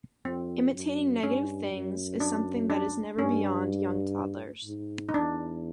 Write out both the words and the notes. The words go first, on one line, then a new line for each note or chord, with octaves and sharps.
Imitating negative things is something that is never beyond young toddlers.
F2 C4
F#2
G2 C#4
F#2
D4
D4
G2 C#4
G#2
D#4
E2 D4